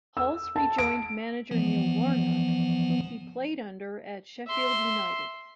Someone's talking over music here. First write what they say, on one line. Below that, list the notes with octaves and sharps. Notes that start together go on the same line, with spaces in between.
Hulse rejoined manager Neil Warnock who he played under at Sheffield United.
E6
A5
D7
E3 F3 B3
E5 C6